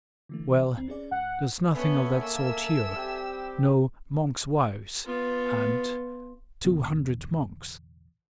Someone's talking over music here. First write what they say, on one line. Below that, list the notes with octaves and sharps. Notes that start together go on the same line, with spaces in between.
Well, there's nothing of that sort here, no 'monks' wives,' and two hundred monks.
D3 E3 A3
D2 C4
C#4 G#4 D5
G#2 F#5
B3 C#4 A4 E5 G#5
A#3 E6
G3 C4 G4
B3 F4
E1 A1 D3 B3